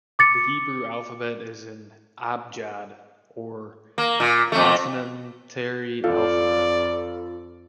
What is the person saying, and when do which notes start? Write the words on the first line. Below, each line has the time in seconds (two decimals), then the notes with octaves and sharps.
The Hebrew alphabet is an "Abjad" or consonantary alphabet.
0.19 D6 A6 C#7
3.98 A#3
4.20 A#2
4.52 F2 A3
6.04 F2 F4 A4 D5 F5